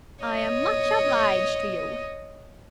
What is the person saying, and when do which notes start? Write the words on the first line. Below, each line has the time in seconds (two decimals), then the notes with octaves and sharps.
"I am much obliged to you."
0.24 C#5 D#5